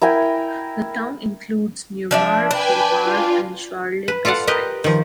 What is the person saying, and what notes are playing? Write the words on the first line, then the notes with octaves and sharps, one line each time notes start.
The town includes Neuermark-Lübars and Scharlibbe districts.
E4 A#4 G5 G#5
F3 D4 E5
D4 B4 G5 G#5
F4
B4
F4 A4 D5 F5 F#5
G4 A#4 B4 D#5
D#3 F3